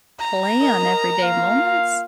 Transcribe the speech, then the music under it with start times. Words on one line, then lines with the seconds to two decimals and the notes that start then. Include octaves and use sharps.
plan everyday moments,
0.19 A#5
0.62 A#4 D#5
1.21 A#3 F4 F5